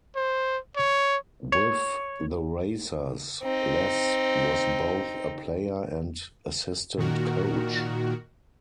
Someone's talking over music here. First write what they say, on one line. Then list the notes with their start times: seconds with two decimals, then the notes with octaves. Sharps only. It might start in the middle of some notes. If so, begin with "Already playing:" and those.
With the Racers, Les was both a player and assistant coach.
0.16 C5
0.76 C#5
1.52 C#5
3.43 C4 D#4
6.98 A#2 D#3 F#4 A#4